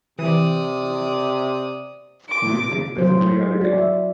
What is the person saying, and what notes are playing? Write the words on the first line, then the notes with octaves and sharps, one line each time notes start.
We think this is reality.
C3 E3 D5 D#6
D6
F#3 C5
F#4 D5
E5